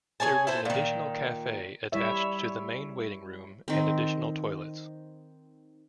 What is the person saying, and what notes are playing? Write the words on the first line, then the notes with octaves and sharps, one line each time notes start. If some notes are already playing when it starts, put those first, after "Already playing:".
There was an additional cafe attached to the main waiting room and additional toilets.
G#4 C#5 G#5 A5
E4 A4 C5
A#2 D#3
G3 E4 C#5 E5
D#3 C4